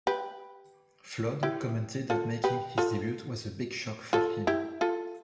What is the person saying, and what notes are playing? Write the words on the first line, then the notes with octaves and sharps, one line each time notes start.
Flood commented that making his debut was a "big shock" for him.
G4 B4
E4 G4
F4 A4
G4 B4
F4 A4
F4 A4
E4 G4
F4 A4